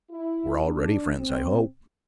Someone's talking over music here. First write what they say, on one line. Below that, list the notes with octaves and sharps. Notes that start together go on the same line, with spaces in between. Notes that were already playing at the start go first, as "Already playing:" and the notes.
"We are already friends, I hope."
E4
D4
C4